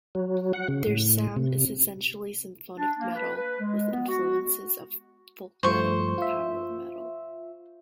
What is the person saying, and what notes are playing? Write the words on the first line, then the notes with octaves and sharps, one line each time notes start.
Their sound is essentially symphonic metal with influences of folk metal and power metal.
F#3
F#5
C#3
A2
C3
D4
A#3
B4
B4
G#3
B3
F#4
G2 F3 A3 C5 C#6
F4 E5